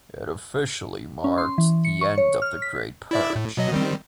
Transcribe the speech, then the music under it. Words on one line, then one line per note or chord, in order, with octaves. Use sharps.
It officially marked the end of the Great Purge.
C#4
C6
E3
C#7
C#6
C#5
F6
B6
E4 D5 E5
A2
B2 F#3 D#5
D#3 G3 C4